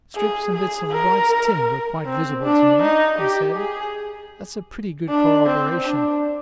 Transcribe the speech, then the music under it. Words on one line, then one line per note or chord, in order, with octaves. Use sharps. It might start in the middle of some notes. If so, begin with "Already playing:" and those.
"Strips and bits of bright tin were quite visible to me," he said. "That's a pretty good corroboration."
G#4
G#4
A#4
C4
D4
D#4
G4
G#4
D4
C4
D4